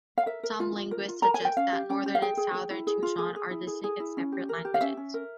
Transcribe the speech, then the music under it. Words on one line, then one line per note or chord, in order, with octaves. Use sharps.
Some linguists suggest that Northern and Southern Tutchone are distinct and separate languages.
F5
A#4 E5
A#4
F4
F4
A#4
F4
A#4 A#5
G#5
A#4 G5
C#4 F5
G4
C#4 G5
G4
F5
G#4 G5
G#4
G#4
E4
G#4
F4
G#4
G#4
E4
G#4
G#4
E4
C#4
G4
A#4
G4
F5
C#4 E5
C#4
A#4